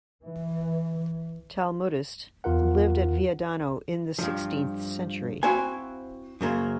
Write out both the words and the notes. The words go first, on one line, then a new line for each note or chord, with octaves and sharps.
Talmudist; lived at Viadano in the sixteenth century.
E3
E2 F4 A#4 F#5
G2 F3
C4 E4 F#4 C5 F5 G#5
F#2 C#3 A#3 C5